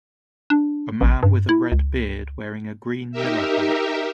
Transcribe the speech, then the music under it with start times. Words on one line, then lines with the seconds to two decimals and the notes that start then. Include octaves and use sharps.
A man with a red beard wearing a green Miller hat.
0.50 D4
1.01 A1
1.23 G2
1.49 E4
1.72 C#2
3.12 D#4 G4 A#4 E5